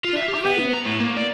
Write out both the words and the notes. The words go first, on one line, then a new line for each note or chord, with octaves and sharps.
Where are you?
F4
E5
G4
B3
B3
A#5
A2
A#3
D5